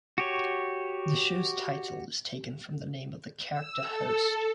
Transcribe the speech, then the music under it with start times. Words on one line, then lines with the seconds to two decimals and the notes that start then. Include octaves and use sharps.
The show's title is taken from the name of the character host.
0.18 F#4 G4 C#5
3.52 E6
3.82 A4